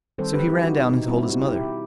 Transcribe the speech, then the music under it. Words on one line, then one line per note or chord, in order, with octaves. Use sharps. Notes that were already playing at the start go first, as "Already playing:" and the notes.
So he ran down and told his mother.
D#3 G3 C4 A4 C5
G4 B4
E4 G4
D#4 F#4
D#4
D#4
B2 G3 C4 E4
D#4 F#4
E4 G4
E4 G4
E4 G4